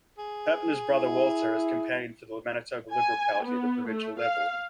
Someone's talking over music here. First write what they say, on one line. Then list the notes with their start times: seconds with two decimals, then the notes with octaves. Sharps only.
Hoeppner's brother Walter has campaigned for the Manitoba Liberal Party at the provincial level.
0.18 G#4
0.91 E4
2.92 G#5
3.43 B3
3.88 A3
4.20 F5